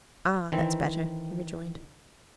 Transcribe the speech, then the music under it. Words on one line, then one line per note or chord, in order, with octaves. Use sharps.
"Ah! that's better," he rejoined.
D#3 E3 C4